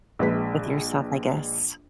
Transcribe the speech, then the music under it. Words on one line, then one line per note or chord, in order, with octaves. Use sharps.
with yourself, I guess.
A#1 G#3 B4 B6